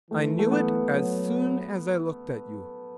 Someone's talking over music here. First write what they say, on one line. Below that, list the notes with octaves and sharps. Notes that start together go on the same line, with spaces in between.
"I knew it as soon as I looked at you."
E3 A3
A3
B3
F#3